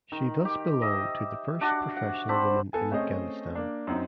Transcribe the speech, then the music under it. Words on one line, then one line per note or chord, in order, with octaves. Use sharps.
She thus belonged to the first professional women in Afghanistan.
D#3
G4
D#5 E5
D4 F#4
F#5
C4 D4 C5 B5
B3 A4 G#5
A3 C4 C#4 G#4 C5 D#5
A#3 D4
F#2 F#3 C4 D#4